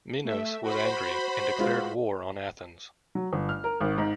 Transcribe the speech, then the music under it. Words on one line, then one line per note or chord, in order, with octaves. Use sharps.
Minos was angry and declared war on Athens.
A3 E5
F#4 C5 B5
G#3 F4 B4
F#3
G1
F6
A#4
G#1
G#2